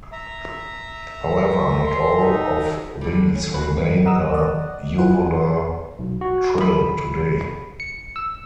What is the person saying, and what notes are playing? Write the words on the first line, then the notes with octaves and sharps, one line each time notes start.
However, not all of these remain a uvular trill today.
E5 A#5
C6
D#4
D3 G3
C#4
F#4 B4
G2 C4
D#5 F#5 A#5 D#6 E6
D5 D#5 F#5
E4 F4 B4 C5 F#5
B1
F#4
B5
C#7
E6